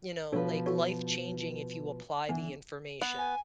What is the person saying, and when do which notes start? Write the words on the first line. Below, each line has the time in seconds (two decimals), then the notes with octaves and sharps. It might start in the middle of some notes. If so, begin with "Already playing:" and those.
you know, like, life changing if you apply the information,
0.32 B2 F3 D4 A4 B4 C#5
0.66 F#4 A4 C#5
2.29 E3 B3 D4 G#5
3.01 B3
3.18 G#5